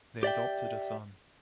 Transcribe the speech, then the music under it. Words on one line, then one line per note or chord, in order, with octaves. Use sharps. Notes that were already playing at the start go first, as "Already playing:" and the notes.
They adopted a son.
G4 D5 E5 G5